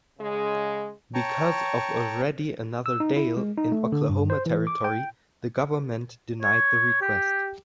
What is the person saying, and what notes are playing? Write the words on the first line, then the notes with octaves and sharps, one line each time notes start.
Because of already another "Dail" in Oklahoma Territory, the government denied the request.
C#3 G#3
C#5 G5 A5 A#5 C#6
E6
D#4
E4
G#3
D#4
A3
D3
G2
C5
E3
D6
G5
C#5
G4